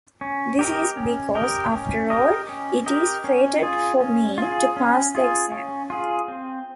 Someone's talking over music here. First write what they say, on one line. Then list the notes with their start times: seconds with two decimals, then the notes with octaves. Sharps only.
This is because, after all, it is fated for me to pass the exam.
0.21 C#4
0.59 G4 A#4 D#5
0.97 C#4
1.35 G4 A#4 D#5
1.73 C#4
2.10 G4 A#4 D#5
2.49 C#4
2.86 G4 A#4 D#5
3.24 C#4
3.63 F4 G#4
4.01 C#4
4.38 F4 G#4
4.77 C#4
5.15 F4 G#4
5.52 C#4
5.90 F4 G#4
6.28 C4